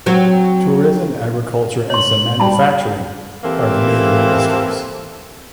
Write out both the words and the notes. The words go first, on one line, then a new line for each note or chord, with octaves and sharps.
Tourism, agriculture and some manufacturing are the major industries.
F#3 C4 F#4
C#5 C6 F#7
G3 F#4 A5 B5
E3 A#3 C4 G4 A4